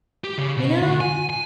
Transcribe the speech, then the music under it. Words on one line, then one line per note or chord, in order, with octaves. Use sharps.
"You know,
G4
C#3
B2
D2
G#5
G#5